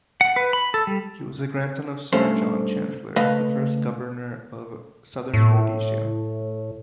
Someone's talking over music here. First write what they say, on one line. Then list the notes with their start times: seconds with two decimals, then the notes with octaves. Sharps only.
He was the grandson of Sir John Chancellor, the first Governor of Southern Rhodesia.
0.21 F#5
0.36 B4
0.53 B5
0.74 A4
0.87 G3
2.13 G2 A3 C#4 C5
3.16 C#2 A3 B4 D#5 F5
5.34 A2